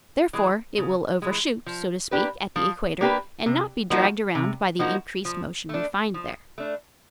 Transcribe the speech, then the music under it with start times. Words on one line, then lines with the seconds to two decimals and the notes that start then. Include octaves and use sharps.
Therefore it will overshoot, so to speak, at the equator, and not be dragged around by the increased motion we find there.
0.33 E3 G#3
0.78 C#3
1.22 E3 G#3
1.66 F3
2.11 A#3 D4 G4 B4
2.56 F3
3.01 A#3 D4 G4 B4
3.46 C3
3.90 F3 A#3 D#4 F#4
4.35 C3
4.79 F3 A#3 D#4 F#4
5.25 F3
5.69 A3 D4
6.14 F3
6.58 A3 D4